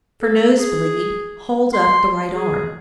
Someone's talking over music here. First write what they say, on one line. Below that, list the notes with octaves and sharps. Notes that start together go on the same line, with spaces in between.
For nose-bleed, hold up the right arm.
A4
G#4
C6
G#4